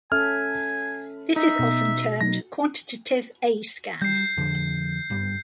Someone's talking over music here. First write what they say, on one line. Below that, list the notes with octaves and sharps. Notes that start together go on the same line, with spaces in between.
This is often termed quantitative A-scan.
C#4 A4 E5 G#5 F6
D#4 E5
B2
F#3 D#4 A#6
G3 G6 C7
F2 D3 F3
F#1 G2 G3